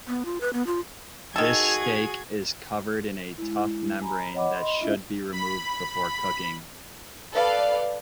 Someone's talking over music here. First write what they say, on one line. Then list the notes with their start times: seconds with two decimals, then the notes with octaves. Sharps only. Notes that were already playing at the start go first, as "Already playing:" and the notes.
This steak is covered in a tough membrane that should be removed before cooking.
0.08 B3
0.25 F4
0.41 B4
0.53 B3
0.67 F4
1.36 D#3 F#4 G#4 A4 G#6
3.38 G#3 E4
4.01 G#5 A#5 B5
4.34 C#5 D#5 F#5 B5 D6
4.53 D#5 B5 C6
4.80 C#4 D4 E4 F4 D#5 E5
5.33 B5
7.33 A4 B4 D5 F5